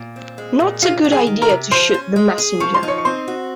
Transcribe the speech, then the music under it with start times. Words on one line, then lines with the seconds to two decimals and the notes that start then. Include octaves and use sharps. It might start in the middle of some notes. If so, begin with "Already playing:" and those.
Not a good idea to shoot the messenger.
Already playing: A#2
0.16 C4
0.38 G#3
0.60 A#2
0.82 C3 F4 F5
1.05 F#3
1.12 G#4 G#5
1.27 D#3
1.42 A#4 A#5
1.49 C3
1.71 F3 C5 C6
1.94 C#4
2.16 G#3
2.38 G#4
2.60 F3 C#6
2.74 C6
2.83 D#4
2.88 C#5 C#6
2.98 C#6
3.05 C4 C5 C6
3.28 F#4